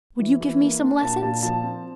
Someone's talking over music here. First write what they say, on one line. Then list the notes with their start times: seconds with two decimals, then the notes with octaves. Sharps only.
Would you give me some lessons?'
0.19 E3
0.41 E3
0.61 A#3
0.82 D4
1.01 A#2 A5
1.22 A#2 A5
1.43 F3 A5
1.63 C4